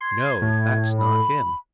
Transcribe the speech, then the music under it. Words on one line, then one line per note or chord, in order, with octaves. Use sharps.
"No, that's not him!"
C6 G#6
A2
B5